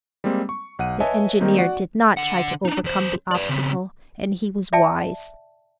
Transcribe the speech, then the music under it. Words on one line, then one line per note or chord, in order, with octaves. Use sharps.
The engineer did not try to overcome the obstacle, and he was wise.
G3 G#3 A#3 C4
C#6
B1 F#5 D#7
B4 C#5 D#5 E5 G#5 A5
D#3 G#3 A#3 C4 D#4
F#4 D5 F#5
D3 F#5
D4 D#4
E2 C5
B4 D5
C#3 C4
D5 E5 G5 A5